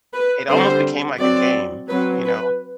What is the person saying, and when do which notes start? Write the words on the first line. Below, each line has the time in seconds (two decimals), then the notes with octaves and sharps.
It almost became like a game, you know?
0.14 B4
0.49 D3 G3 C4 C5
1.20 F#3 C4 D5
1.89 F#3 C4 B4
2.25 B4